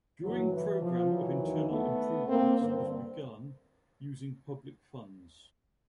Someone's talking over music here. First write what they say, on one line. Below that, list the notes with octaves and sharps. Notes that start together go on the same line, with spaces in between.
During program of internal improvements was begun using public funds.
G2 D3 E3 F#3
E3
F3
E3 F#3
D#2 D#3
A3 B3
A#3 C4
G2 D3 A#3 C4